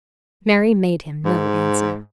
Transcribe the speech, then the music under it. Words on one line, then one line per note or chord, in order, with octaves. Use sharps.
Mary made him no answer.
G#2